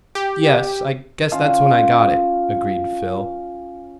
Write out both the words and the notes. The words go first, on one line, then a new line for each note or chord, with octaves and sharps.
"Yes, I guess that's when I got it," agreed Phil.
G4
C#4 F4 F5 A5